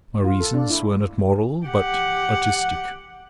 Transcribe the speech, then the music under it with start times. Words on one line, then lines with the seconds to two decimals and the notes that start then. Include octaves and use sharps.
My reasons were not moral but artistic.
0.24 F4
0.40 A4
0.54 D4
0.70 E4
1.66 G4 F#5